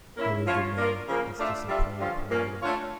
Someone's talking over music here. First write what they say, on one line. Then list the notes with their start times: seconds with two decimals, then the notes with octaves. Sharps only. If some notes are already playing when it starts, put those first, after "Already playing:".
Eledumare is the Supreme Creator.
0.17 A#3 C#4 E4
0.47 F3 C#4 F4 C#5
0.78 A#3 D4 F4 A#4
1.08 C#3 F3 A#3
1.39 A3 D4 F4 A4 E5
1.69 G3 D4 F4 A4 E5
1.99 G2 D3 F3 C#4 F4
2.30 A#2 F3 A#3 C#4
2.61 A3 D4 F4 C#5